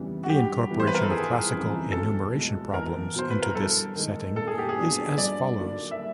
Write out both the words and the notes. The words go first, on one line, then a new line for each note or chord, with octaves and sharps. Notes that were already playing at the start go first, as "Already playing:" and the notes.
The incorporation of classical enumeration problems into this setting is as follows.
Already playing: F2 C#3 E3 G3 B3
F#4
G2 G4
E3 G3 B3 E4
C5
B4
A#4
A4
G1 G#4
F2 C#3 E3
B1 A4
B2 G#3
E2 A#4
B2 F#3 C5
B4
A#4
G2 A4
D#3 G#3
A#2 A4
G#4
G4
G#4
F#3 B3 D4
G2 D5
D3 F#3 A#3 D4
E5